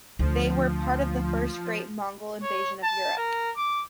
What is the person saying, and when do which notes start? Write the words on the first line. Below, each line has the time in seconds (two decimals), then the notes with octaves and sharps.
They were part of the first great Mongol invasion of Europe.
0.19 D2 F3
2.42 C#5
2.83 A5
3.17 A#4
3.57 D6